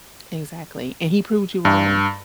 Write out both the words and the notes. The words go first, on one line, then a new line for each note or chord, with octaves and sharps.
Exactly, and he proved you wrong,
G2